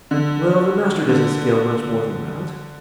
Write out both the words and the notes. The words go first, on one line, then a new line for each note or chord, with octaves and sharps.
"Well, the Master doesn't scale much more than that."
D3
D3